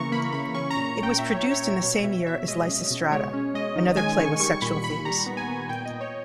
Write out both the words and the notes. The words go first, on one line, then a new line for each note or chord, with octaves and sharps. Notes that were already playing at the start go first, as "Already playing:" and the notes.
It was produced in the same year as "Lysistrata", another play with sexual themes.
Already playing: C#3 E3 A#3 E5 A#5 C#6
A#3 B5
C#3 B5
C#4 C#6
A#5
A#2
A#2
G5
A#2 E5
C#5
C#4
C#5
A#2
E5
B2 C#5
B2 E5
B2 E5
G#3 D#5
C#4
B2
G#3 C#5
C#4
G#3 D#5
D#3
G#3 G#5
D#3 C#6
G3 C#6
A#2 B5
A#2 B5
G3 A#5
B3
G#5
B3
A#2 G5
D#5
A#2
C#5